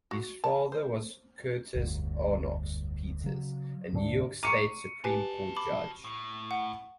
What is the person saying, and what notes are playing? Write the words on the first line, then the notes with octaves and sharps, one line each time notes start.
His father was Curtis Arnoux Peters, a New York State Supreme Court judge.
F#4
A5
C5
F1 D2 G2
C#3 F#3
D2 G#2 A#3 D4
A#5 C#6 D6 C#7 D#7
F#4 G4 B4 G#5 A5
B5 D6
A2
F#5